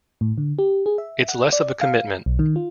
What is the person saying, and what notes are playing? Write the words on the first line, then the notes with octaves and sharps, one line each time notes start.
It's less of a commitment.
A2
D3
G4
G#4
E5
F#5
D5
F5
B1
D#3
F4